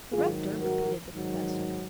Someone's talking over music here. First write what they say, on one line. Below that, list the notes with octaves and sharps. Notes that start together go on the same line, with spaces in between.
"The rector," repeated the Professor.
G#2 D#3 F#3 F4 G#4
F#4 A#4
G#2 D#3 F#3